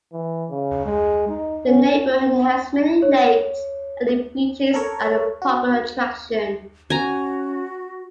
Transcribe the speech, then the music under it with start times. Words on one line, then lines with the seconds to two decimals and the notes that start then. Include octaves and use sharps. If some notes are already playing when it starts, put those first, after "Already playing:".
The neighborhood has many lakes and the beaches are a popular attraction.
0.13 E3
0.50 C#3
0.86 G#3
1.29 D#4
1.67 C#4
3.02 C#5
4.74 A4 A#4 C#5
5.42 F#4
6.90 C#4 F#4 G#5 A#5